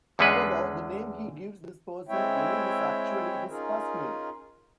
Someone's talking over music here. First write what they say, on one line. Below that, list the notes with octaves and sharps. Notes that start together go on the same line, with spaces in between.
However, the name he gives this person, "Elim", is actually his first name.
E2 D3 G#3 C#4 F4 B4
G#3 C4 E4 C#5 E5 G5
C#4 D#4 F4 G#4 A#4